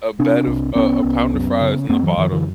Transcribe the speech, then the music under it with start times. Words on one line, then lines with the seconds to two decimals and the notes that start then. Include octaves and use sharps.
a bed of a a pound of fries on the bottom,
0.19 C3 C4 D4
0.47 C2
0.75 C2 B3 C#4
1.04 C2
1.33 F#2
1.61 C#3
1.89 F#2 A#3 C4
2.03 E3 F#3
2.17 F#2 D#3 F3
2.32 D3 E3